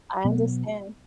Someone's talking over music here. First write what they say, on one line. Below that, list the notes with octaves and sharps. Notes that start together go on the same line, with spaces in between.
I understand.
B2 F#3 B3